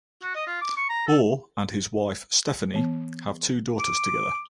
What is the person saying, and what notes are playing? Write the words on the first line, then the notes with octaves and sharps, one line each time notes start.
Orr and his wife Stephanie have two daughters together.
F#4
D#5
F4
D6
C#6
A#5
A4
E3 B3
D6